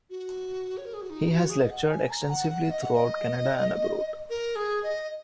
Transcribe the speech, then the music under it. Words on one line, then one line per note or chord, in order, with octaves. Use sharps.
He has lectured extensively throughout Canada and abroad.
F#4
C#5
A#4
G#4
F#4
D#4
F#4
G#4
D#5
F#5
G#5
A#5
F#5
F#5
D#5
F#5
D#5
A#4
G#4
D#5